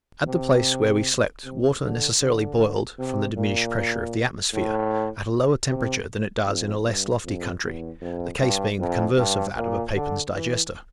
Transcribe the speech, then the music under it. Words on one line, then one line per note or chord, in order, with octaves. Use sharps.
At the place where we slept water necessarily boiled, from the diminished pressure of the atmosphere, at a lower temperature than it does in a less lofty country; the case being the converse of that of a Papin's digester.
C3
C3
D3
D3
C3
A#2
A2
C3
F2
G2
F2
E2
F2
G2
F2
G2
A#2
D3
E3